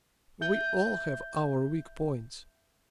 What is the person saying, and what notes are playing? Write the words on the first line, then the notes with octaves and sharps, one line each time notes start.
We all have our weak points.
E5 G6 G7